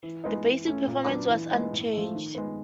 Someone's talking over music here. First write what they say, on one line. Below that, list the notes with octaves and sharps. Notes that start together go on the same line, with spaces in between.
Basic performance was unchanged.
E3
G#3 B3 D#4
E3
A3 C#4
A#2
F#3 B3 D4
E3
G#3 B3 D#4
A2
F3 A3
D#3
G#3 B3